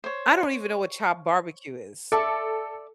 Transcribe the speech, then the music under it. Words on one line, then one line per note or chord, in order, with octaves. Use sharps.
I don't even know what chopped barbecue is.
C5 C#5
A4 D5 E5 A5